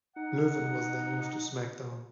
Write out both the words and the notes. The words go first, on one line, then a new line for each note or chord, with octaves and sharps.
Loewen was then moved to SmackDown!
D#4 F#5